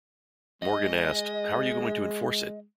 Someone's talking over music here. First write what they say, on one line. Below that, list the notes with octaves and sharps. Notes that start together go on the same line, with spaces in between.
Morgan asked: How are you going to enforce it?
G#3 D#5